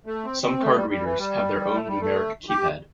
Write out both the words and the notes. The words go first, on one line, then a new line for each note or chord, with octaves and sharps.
Some card readers have their own numeric keypad.
A3
C4
C4
A3
G3
G3
E3
G3
A3
G3
A3
G4